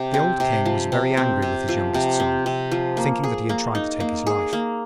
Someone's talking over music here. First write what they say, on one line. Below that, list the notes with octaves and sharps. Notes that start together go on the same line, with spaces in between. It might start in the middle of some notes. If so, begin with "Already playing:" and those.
The old King was very angry with his youngest son, thinking that he had tried to take his life.
Already playing: C3
C4
C3
F3
C3
C4
C3
F3
C3
C4
C3
F3
A#3
G#4
A#3
D#4
A#3
G#4
A#3